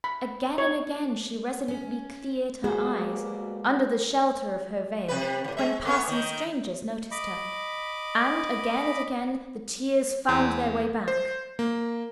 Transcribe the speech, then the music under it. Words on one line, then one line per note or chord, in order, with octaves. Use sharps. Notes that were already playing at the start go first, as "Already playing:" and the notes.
Again and again she resolutely cleared her eyes, under the shelter of her veil, when passing strangers noticed her; and again and again the tears found their way back.
B5
C#5
C#4
B2 G3 G#3 A#3 F#4 G#4 B4 C5
C3 B4
D#2 A2
G#3 E5
A3 B3 C#5
D#3 D#4
D#5 B5 D6
E2
C5
A#3